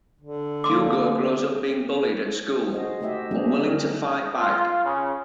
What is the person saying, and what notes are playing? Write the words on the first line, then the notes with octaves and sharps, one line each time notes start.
Hugo grows up being bullied at school, unwilling to fight back.
D3
A#3 C6 D6
F#4 G#4 C5 D#5
A3 D#4 F#4 G4 D#5 E5
F#3 G3 A3 C4 D4 G#4
D3 A#4
F4
C#3